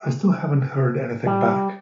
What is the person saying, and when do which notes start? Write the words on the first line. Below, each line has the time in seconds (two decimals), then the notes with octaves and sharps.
I still haven't heard anything back.
1.26 G3